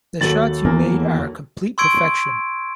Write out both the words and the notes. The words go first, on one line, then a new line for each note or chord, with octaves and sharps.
The shots you made are complete perfection.
D#2 F#3 A4 A6 F#7
E2 A#3
C6 C#6 E6 G#6 D7